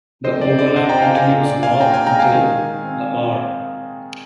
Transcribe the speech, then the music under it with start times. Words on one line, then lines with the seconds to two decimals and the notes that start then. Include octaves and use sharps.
The overlap continues north until Lamar.
0.24 C4 C5 D#5
0.41 D5
0.50 C3
0.59 D5
0.76 C3 C5 D#5
0.89 G5 A#5
1.02 C3 F5 G#5
1.15 F5 G#5
1.29 A#2
1.46 D5
1.55 A#2
1.63 F5 G#5
1.80 A#2 G5 A#5
1.93 F5 G#5
2.06 G#3 G5 A#5
2.19 F5 G#5
2.32 D#3
2.59 D#3
2.84 C4